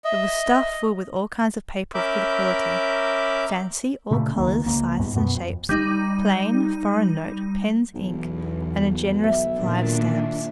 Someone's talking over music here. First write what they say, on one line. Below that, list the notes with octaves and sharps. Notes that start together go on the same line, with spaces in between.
It was stuffed full with all kinds of paper of good quality--fancy, all colours, sizes, and shapes, plain, foreign note, pens, ink, and a generous supply of stamps.
D#5 E5
C#4 A#4 E5 B5 D6 G6
A#2 C#3 A3
C#2 D#3 A#3
C#2 A#3
C#2 G#2 B3
F#2 B2 B3
F2
G3 D#4
B1 E2
E5
A#2 D#3 D4